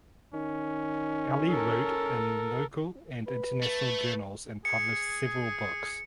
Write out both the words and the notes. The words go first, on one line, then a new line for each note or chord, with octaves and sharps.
Ali wrote in local and international journals and published several books.
D#3 C#4
A4 A#4
B4
A3
G#4 C#7